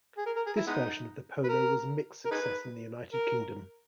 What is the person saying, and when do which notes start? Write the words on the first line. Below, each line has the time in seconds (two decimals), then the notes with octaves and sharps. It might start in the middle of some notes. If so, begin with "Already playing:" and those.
This version of the Polo was a mixed success in the United Kingdom.
0.18 G#4
0.26 A#4
0.36 A#4
0.46 G#4
0.57 E4
0.67 G#3 B3 D#4
1.44 B4
1.48 A#4
2.25 A#4
2.31 D#4 G#4 B4
3.13 A#4